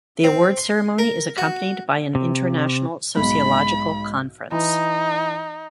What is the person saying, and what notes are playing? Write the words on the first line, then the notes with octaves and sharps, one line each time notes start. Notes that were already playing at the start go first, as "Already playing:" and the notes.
The award ceremony is accompanied by an international sociological conference.
C4
C6
A#4
F#4
C3
B1 G#2 B5
E3 D#4